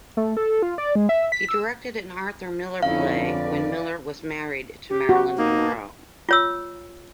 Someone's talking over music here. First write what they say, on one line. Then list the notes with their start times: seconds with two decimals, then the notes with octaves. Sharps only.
He directed an Arthur Miller play when Miller was married to Marilyn Monroe.
0.17 A3
0.37 A4
0.62 F4
0.78 D5
0.95 G#3
1.09 E5
1.32 B6
1.49 E6
2.83 F2 D3 C#4 D#4 E4 F5
3.27 B4 D5
4.90 G4
5.09 F#4
5.38 A#3 D#4
6.29 F4 C#5 E6